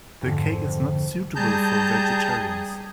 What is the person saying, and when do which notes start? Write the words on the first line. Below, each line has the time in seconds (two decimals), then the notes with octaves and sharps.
The cake is not suitable for vegetarians.
0.22 F2 G#2 D3
1.36 G3 G#4 A5 A#5 G6